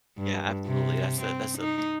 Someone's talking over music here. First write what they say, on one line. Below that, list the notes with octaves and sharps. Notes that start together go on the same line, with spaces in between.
Yeah, absolutely that's a that's a
G2
C3
C4
D#4